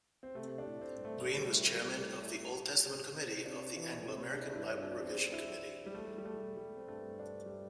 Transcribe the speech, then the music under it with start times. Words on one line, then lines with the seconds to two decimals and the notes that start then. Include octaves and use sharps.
Green was chairman of the Old Testament committee of the Anglo-American Bible revision committee.
0.23 C4
0.35 C3 A3
0.58 D4
0.66 A2
0.81 C4
0.97 G2
1.05 A3
1.28 A2 A3
1.38 G3
1.46 A3
1.75 G3
2.22 A3
3.15 C3 C4
3.45 C3 D4
3.77 E3 D4
4.08 C3 C4
4.32 D4
4.39 E4
4.46 D4
4.55 G2 E4
4.78 D4
5.01 E2 C4
5.33 E4
5.86 G3
5.95 A3
6.18 G3
6.25 A3
6.57 G3
6.76 C4
6.88 G2 A3
7.19 D4
7.46 G3
7.49 A3